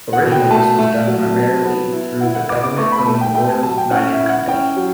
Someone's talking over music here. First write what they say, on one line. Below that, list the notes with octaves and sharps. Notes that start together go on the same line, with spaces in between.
Originally this was done primarily through the government-owned Royal Niger Company.
F#5
B2
G5
A3 A5
A3
F#3
F#3
B3
E4
E4 F#5
F#5
B3 D6
D6
A3 C#6
B5
A3 A5
G5
A3 G5
A5
F#3 A5
G5
C#4 F#5
E5
E4
F#5
C#4 G5
F#3